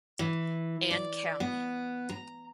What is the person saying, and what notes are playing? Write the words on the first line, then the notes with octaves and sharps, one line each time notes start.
Anne County.
E3
D5
B3
A#5